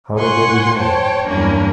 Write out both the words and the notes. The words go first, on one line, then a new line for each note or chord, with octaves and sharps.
How did they begin?
F#5 G#5 C6 C#6
C5 C#5 G5 A5
E2 G2 F#3 A#3 C#4 D4